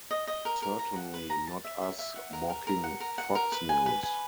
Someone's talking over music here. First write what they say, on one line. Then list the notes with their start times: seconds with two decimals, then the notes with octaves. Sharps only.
Certainly not us mocking Fox News.
0.11 D#5
0.27 D#5
0.45 A#4
0.62 A#4
0.79 A#5
0.96 F#5
1.14 B4
1.30 A#5
1.47 A5
1.64 E5
1.81 E5
1.98 E5
2.16 F#5
2.33 A#4
2.49 A#4
2.67 A#4
2.84 F#5
3.00 A#4
3.18 F#5
3.35 A#4
3.52 B4
3.69 G#5
3.86 B4
4.03 G#5